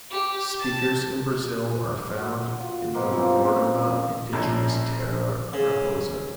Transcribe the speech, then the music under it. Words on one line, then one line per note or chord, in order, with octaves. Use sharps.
Speakers in Brazil are found in the Roraima Indigenous Terra Raposa.
G4
A5
F#4
F4
B2 F3 A#3
E3 F3 C4 C#4
A#1 A#2 C#4 A5
C#3